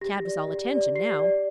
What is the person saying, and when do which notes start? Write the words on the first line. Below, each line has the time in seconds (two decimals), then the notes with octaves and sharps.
Tad was all attention now.
0.01 G4 A#6
0.25 D5
0.48 G4
0.73 D5
0.95 G4 C7
1.19 D5